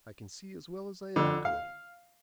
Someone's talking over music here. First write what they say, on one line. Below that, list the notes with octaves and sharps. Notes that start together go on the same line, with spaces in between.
I can see as well as I ever could.'
F2 D3
F5